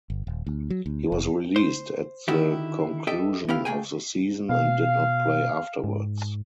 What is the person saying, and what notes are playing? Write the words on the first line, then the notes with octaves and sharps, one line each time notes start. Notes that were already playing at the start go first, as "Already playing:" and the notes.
He was released at the conclusion of the season and did not play afterwards.
G1
D#1
D2
F#3
D2
F1
C5
D3 D#3 E4 F#4 G4
G4 A4 D#5 E5 G5
B3 E4 G4 F5
A3 A#3 G#4 G5 G#5
B2 F5
G#2